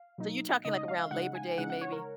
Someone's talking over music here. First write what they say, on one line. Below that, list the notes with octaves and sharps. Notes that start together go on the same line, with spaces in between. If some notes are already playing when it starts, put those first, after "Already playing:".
So you're talking. like, around Labor Day maybe?
Already playing: F5
B2 F#3 A#3 D#4
C#3 G#3 D#4 D#5
D#5
F5
F5
C#3 G#3 D#4 F#5
G#5
C#3 G#3 D#4 F#5
F#5
C#5
A#4